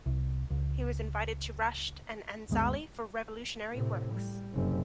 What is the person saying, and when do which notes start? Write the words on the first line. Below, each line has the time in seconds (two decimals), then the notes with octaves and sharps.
He was invited to Rasht and Anzali for revolutionary works.
0.06 C2
0.50 C#2
2.49 G1 D2 G#3 B3
3.72 A2 C3
4.14 G3
4.53 F#1 C3